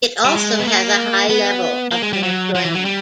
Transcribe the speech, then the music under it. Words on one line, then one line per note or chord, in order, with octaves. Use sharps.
It also has a high level of unemployment.
G3
G#3
B3
A#3
B3
A#3
G#3
G3
F#3
F3
E3
F#3
G3